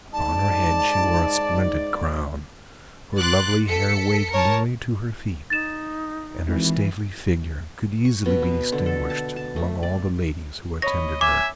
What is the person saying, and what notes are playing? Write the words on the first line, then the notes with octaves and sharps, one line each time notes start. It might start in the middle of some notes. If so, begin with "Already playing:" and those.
Upon her head she wore a splendid crown, her lovely hair waved nearly to her feet, and her stately figure could easily be distinguished among all the ladies who attended her.
G#2 D#4 D5 A5
C6 D6 F#6 A6
A4 B6 C#7
A#4 C#5 A5
D#4 A6 E7
G#1 E3
C#6
B2
B3
D3
A4
A5
A5
A3
D5
C#5 D#5 B5 A#6
E5 G#5 D6